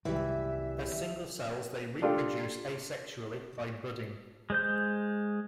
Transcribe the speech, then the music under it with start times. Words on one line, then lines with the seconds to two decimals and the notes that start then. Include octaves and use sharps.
As single cells, they reproduce asexually by budding.
0.05 C2 D#3 E3 F#3 G3 E5
2.02 D4 F4 G4 A4
4.50 G#3 C5 G6